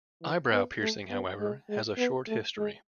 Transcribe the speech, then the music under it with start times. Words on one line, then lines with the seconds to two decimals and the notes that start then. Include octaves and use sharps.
Eyebrow piercing, however, has a short history.
0.22 E3
0.52 B3
0.81 A3
1.10 B3
1.40 G#3
1.69 G#3
1.98 B3
2.28 A3
2.57 G#3